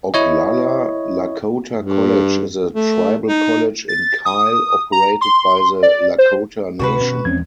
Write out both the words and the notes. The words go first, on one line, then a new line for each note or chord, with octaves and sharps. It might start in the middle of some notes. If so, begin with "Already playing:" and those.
Oglala Lakota College is a tribal college in Kyle operated by the Lakota Nation.
E4 C#5 D#5
G2
A3
D#4
A6
D#6
A#5
C6
D5
C5
D2 C3 F#4 G4 B4
B2 C#4
E2 F3 G#3 C4 C#4 G#6